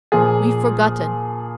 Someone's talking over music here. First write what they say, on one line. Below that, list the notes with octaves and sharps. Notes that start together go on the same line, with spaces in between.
We've forgotten.
A#2 F3 G#4